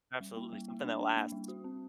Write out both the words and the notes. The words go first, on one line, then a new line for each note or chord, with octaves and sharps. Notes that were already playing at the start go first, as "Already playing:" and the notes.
Absolutely, something that lasts.
G3
A#3
G3
A#3
D4
D4
A#3
G3
F#4
C4